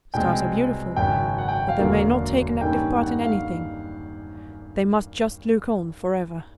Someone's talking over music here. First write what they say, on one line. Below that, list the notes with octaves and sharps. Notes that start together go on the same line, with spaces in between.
Stars are beautiful, but they may not take an active part in anything, they must just look on for ever.
C2 B2 G#3 C4 G5
G#1 F#2 C#3 G5
F#5
G5
F5
E1 D2 D3 F#3 A#3
G2 D#3 G3 A#3 C#4 G5
F#5
F5